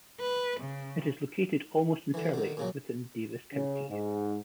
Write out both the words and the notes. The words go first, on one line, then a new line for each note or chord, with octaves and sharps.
It is located almost entirely within Davis County.
B4
C#3
D3 E3
D3 D#3
A#2 C#3 F#3
C#3
G#2